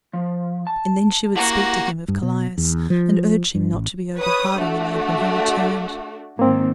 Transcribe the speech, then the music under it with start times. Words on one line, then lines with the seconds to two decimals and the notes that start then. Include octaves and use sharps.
And then she would speak to him of Callias, and urge him not to be over hard on the lad when he returned.
0.13 F3
0.67 A5
1.35 A#3 E4 F#4 G4 F#5
2.08 G2
2.23 B2
2.58 E2
2.90 F3
3.55 G2
3.73 A1
4.17 B4 C#5 D#6
4.58 A3 D4 F#4
6.39 G#2 D#3 A#3 C4